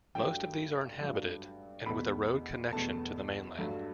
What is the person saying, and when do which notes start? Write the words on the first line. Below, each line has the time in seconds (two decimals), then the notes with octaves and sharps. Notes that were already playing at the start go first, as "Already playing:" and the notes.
Most of these are inhabited, and with a road connection to the mainland.
0.15 G2 F#3 A3 G5
1.01 G2 F#3 A3
1.86 E2 B2 A3 B5
2.72 E2 B2 A3 A5
3.58 G2 F#3 A3